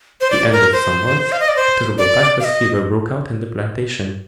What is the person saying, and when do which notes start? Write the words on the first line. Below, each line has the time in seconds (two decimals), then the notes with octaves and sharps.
At the end of some months a terrible typhus fever broke out in the plantation.
0.21 C5
0.31 D5
0.52 A#4
0.73 C5
1.32 F5
1.40 D#5
1.48 D5
1.56 C5
1.98 D5
2.40 F5
2.44 D#5